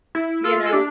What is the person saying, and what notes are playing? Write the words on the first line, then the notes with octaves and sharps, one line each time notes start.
you know?
E4
F4 A4
A4
D4 G4